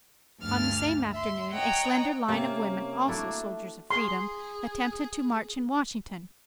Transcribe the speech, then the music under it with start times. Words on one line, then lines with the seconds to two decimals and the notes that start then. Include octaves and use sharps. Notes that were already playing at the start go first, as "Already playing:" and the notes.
On the same afternoon a slender line of women-also "soldiers of freedom"-attempted to march in Washington.
0.39 D2 G2 F6 A6
1.13 E5 C6
1.52 C#5 D#5 F#5 G5 A#5
2.28 C3 A#3 C#4
3.08 A3 D4 E4 F#4
3.91 G#4 C6